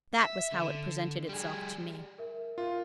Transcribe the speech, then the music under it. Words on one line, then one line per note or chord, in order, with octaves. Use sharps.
That was how it presented itself to me.
E5
D3
G3 G#4
A#4 E5
F4 A#4 F5